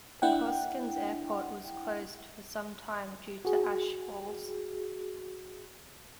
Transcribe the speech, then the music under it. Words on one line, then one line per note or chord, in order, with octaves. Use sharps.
The Hoskins airport was closed for some time due to ash falls.
D4 E4 F#5 G5
F#4 G#4